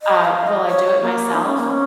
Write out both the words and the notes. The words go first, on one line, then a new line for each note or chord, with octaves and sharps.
Uh, Will I do it myself?
D#5
F5
D#5
C#5
A#3
D#4
C#4
A#3
C#4